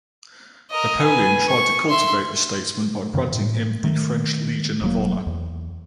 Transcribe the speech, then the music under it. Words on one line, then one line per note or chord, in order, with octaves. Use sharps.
Napoleon tried to cultivate the statesman by granting him the French Legion of Honor.
A#4 D#5
B4 G#5
C#6
E5 C6
F#2 C#3 E3
A2
D#3 A3
E1 F#3 A#3
E2